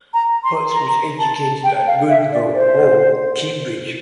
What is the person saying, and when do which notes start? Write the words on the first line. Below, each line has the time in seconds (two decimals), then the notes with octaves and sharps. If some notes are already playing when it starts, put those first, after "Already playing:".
Butts was educated at Gonville Hall Cambridge.
0.14 A#5
0.44 C6
0.74 A#5
1.19 A5
1.64 G5
1.87 F5
2.09 E5
2.32 D5
2.54 C5